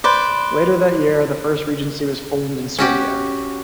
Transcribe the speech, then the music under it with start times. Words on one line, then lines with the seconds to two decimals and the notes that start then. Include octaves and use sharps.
Later that year "The first regency" was formed in Serbia.
0.04 B4 C5 D5
2.78 C#4 F#4 G4